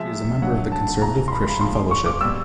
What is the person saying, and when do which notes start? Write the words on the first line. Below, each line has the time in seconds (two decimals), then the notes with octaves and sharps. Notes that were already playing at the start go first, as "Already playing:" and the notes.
She is a member of the Conservative Christian Fellowship.
Already playing: C3 F3 G#3 E5
0.42 D3 F#3 F#5
0.72 A5
1.02 C3 E3 G#3 A#5
1.28 C6
1.32 B5
1.47 B5
1.61 A#2 F3 G#3 C6
1.91 C#6
2.06 D6
2.21 B2 G3 E6